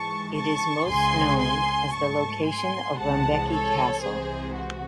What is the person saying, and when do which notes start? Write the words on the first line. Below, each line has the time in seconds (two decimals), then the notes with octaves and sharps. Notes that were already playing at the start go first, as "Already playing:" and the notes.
It is most known as the location of Rumbeke Castle.
Already playing: G#2 E3 G#3 A5 C#6
0.36 A5 C#6
0.87 C#2 C#3 G#3 G#5 C6
1.40 G#5 C6
1.93 G#2 F#3 A3 A5 C#6
2.45 G#5 C6
2.97 C2 C3 E3 G#3 F#5 A5
3.49 A4 C#5
4.02 C2 C3 E3 G#3 G#4 C5
4.54 F#4